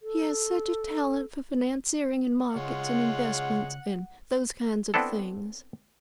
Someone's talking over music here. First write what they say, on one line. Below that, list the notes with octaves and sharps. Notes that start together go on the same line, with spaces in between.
He has such a talent for financiering and markets and investments and those kind of things.
A4
C#3 G#3 F4 C#5 F#5
B3 C4 D4 E4 A4